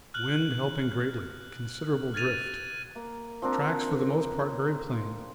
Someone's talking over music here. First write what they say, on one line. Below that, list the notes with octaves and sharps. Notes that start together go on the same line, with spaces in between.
Wind helping greatly, considerable drift; tracks for the most part very plain.
F6 F#6 F#7
F6 G#6 A6 D#7 F7
A#3
F3 C4 D4 A#4